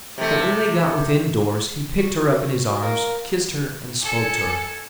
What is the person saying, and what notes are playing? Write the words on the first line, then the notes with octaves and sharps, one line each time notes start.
But when they got within doors he picked her up in his arms, kissed her and spoke to her.
C3 A3
F#4
A#4 F5
A4 G#5 C#7